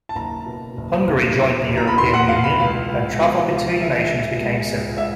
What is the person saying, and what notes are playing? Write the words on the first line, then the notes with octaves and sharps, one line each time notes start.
Hungary joined the European Union and travel between nations became simpler.
A5
F#1 A#5
B2
F#1
F#1
E2
F#1
A#5
B5
E2 C6
F#5
B2 F5
B5
C#2 F5
G#3
B2
C#2
G#3 E5
C#2
G#3
C#2
E5